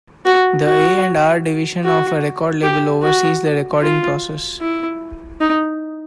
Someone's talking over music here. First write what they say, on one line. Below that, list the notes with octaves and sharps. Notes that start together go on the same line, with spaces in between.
The A and R division of a record label oversees the recording process.
F#4
F#4
F#4
G4
F#4
F4
E4
D#4